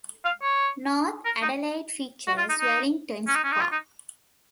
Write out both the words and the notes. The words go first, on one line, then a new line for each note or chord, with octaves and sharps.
North Adelaide features Wellington Square.
F5
C#5
A#4
D#4
F#4
F4
D#4
D#4
C#4
D#4
C#4
D#4
F4
D#4